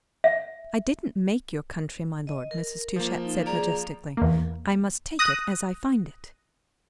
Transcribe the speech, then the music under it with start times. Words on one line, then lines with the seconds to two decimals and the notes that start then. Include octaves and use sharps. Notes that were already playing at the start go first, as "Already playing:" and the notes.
"I didn't make your country, my lord," Mrs. Touchett said majestically. "I must take it as I find it."
0.24 E5
2.27 D#5
2.51 A#4
2.96 F3 A#3
3.25 D#4
3.46 G#4 D5 A#5
4.17 E2 A#3
5.19 D#6 F#6 A#6